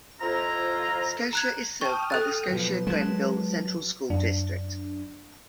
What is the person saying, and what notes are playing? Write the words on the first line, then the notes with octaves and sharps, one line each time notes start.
Scotia is served by the Scotia-Glenville Central School District.
F2 F3 E4 F4 A#5
A#5 F#6 G#6
G5 A5 C#6 D#6 F6
A4 F#6 A6
B2 F3 F#3 B4
G#3 A#4 B4 A5
F#2 D4